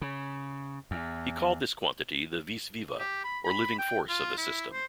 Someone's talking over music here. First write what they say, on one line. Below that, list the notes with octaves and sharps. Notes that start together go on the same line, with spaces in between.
He called this quantity the "vis viva" or "living force" of the system.
C#3
E2
G4
B5
B5
G5
F4
E4
C5